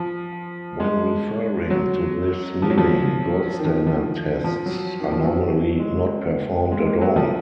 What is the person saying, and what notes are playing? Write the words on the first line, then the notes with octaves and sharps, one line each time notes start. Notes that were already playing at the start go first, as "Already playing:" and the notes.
When referring to this meaning, gold standard tests are normally not performed at all.
Already playing: F3
G#3
F#3
F3
F#3
F3
D#3
F3
D#3
F3
F3
F#3
D#3
F3
F#3
G#3
G#3
A#3
F#3
F3